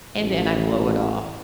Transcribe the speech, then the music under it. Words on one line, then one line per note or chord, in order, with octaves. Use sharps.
and then I blow it off.
A1